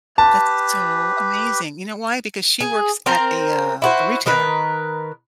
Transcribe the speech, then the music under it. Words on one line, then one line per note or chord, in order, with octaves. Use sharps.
That's so amazing. You know why? Because she works at a, uh a retailer,
G4 B4 A5
G#4
C4 A#4 C5
E4 F#4 C5
D#3 A#4 B4